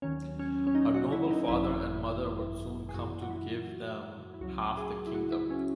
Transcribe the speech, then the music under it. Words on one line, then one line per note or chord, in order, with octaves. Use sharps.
Her noble father and mother would soon come to give them half the kingdom.
D#2 D#3 F#3 C#4
C#4
C#4
D#4
F#4
E4
D#4
G#1 F#2 E3 E4
G#4
F#2 E3 F#4
F#4
E4
E4
C#2 C#3 F#3 F#4
G#4
E4
F#4
E4
C#4